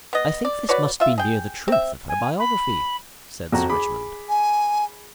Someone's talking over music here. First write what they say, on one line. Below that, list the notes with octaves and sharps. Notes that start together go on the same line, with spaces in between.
"I think this must be near the truth of her biography," said Sir Richmond.
B3 D#5
D5
F#4 B4 C#5 D5
F4 E5
G#4 G5
C4 E5
G#5
B5
F2 F#4 A#5
G#4 B5 D6
G#5